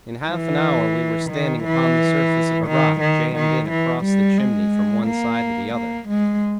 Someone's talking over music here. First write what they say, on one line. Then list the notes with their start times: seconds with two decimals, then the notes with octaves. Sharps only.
In half an hour we were standing upon the surface of a rock jammed in across the chimney from one side to the other.
0.28 E3
1.30 D#3
1.64 E3
2.67 D#3
3.01 D#3
3.36 D#3
3.70 E3
4.04 G3
4.38 G#3
5.06 A#3
5.74 A#3
6.09 G#3